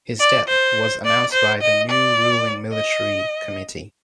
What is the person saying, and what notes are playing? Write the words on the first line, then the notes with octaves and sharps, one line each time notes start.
His death was announced by the new ruling military committee.
D5
C5
D5
C5
D#5
D5
D#5